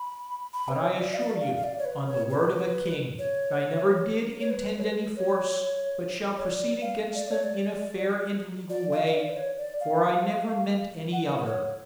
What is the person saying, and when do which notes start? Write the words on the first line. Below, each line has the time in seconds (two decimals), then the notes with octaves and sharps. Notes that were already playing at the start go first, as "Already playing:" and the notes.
But I assure you, on the word of a king, I never did intend any force, but shall proceed against them in a fair and legal way; for I never meant any other.
Already playing: B5
0.53 B5
0.68 B4
0.75 C#5
0.98 D5
1.14 F5
1.19 D5
1.41 F5
1.56 F5
1.64 D5
1.78 C#5
1.85 B4
2.07 C#5
2.30 B4
3.19 C#5
4.40 C#5
4.50 B4
4.78 C#5
4.83 B4
5.17 C#5
6.38 C#5
6.49 D5
6.82 F5
7.15 D5
7.30 C#5
7.43 D5
8.70 D5
8.92 F5
9.06 F5
9.14 D5
9.30 B4
9.36 C#5
9.58 D5
9.81 F5
11.13 F#5
11.46 C#5